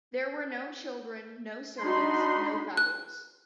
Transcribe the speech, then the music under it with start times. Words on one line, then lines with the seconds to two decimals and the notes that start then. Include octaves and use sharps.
There were no children, no servants, no fowls.
1.82 D4 D#4 F#4 B5 C6
2.77 F#6